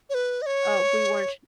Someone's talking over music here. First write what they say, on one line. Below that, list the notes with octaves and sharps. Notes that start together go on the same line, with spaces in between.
uh, we weren't
C#5
B4
D#5
C#5